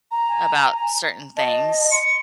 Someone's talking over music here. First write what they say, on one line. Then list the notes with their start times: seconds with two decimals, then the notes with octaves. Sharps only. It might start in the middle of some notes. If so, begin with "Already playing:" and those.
about certain things,
0.11 A#5
0.29 G#5
1.37 D#5 A5
1.91 C6 C#7